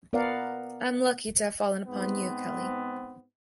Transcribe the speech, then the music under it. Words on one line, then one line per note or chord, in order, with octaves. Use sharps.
I'm lucky to have fallen upon you, Kelly.
B3 A#4 D5 F5 F#5
G#2 B3 C4